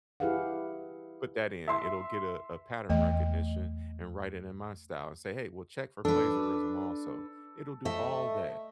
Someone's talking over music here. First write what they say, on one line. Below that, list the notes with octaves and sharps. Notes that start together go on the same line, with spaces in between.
put that in, it'll get a a pattern recognition and write it in my style and say, "Hey, we'll check for plagiarism also." It'll do all that,
E4 G4 G#4 B4 F5 F#5
E5 C6
E2 A3 D#5
D4 A4 B4
A3 D#5 E5